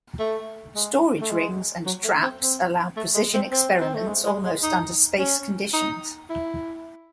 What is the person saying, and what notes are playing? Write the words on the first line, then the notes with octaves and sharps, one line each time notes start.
Storage rings and traps allow precision experiments almost under space conditions.
A3
G#3
A3
G#3
F#3
A3
C4
C4
A3
G#3
C4
C4
C4
A3
G#3
G#3
G#3
D#4
C#4
D#4
E4